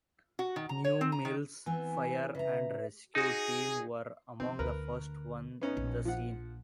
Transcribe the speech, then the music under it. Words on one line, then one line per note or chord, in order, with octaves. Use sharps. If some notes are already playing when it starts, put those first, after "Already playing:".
New Mills Fire and Rescue Team were among the first on the scene.
F#4
D#3
A#5
C#5
C4
A#5
D#3
E3 B3 C4 G#5
C#3 B4 E5 A#5
D#4 F#4 G#4
F3 C4
D2 A#4 B4
B3 C#4 D#4
A#1
F3 F#5